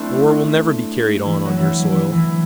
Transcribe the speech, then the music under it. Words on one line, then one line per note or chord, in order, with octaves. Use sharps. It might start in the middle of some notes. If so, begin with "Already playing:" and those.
The war will never be carried on on your soil.
Already playing: A3 C4 D4 E4
E3
F#3
E3
E3
E3